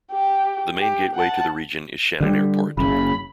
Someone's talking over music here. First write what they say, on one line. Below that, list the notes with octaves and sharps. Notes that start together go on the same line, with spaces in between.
The main gateway to the region is Shannon Airport.
G4
G4
F#5 A5
D3 F#3 G3
F#1 C#3 B5